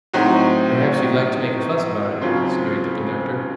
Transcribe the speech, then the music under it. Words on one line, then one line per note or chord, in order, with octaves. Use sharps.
"Perhaps you'd like to make a fuss about it," sneered the conductor.
A2 F#3 C4 D#4 F#4
D#2 C#3 F#3 C4 F4